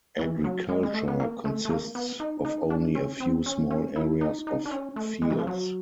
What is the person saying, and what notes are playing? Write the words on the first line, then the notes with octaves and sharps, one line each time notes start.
Agriculture consists of only a few small areas of fields.
E3
F#3
G#3
G#3
A3
B3
A#3
A3
A3
A#3
B3
D#4
D#4
D4
C#4
C4
C#4
C#4
E4
D#4
D#4
D4
C#4
A3
G#3
E3
F3
F#3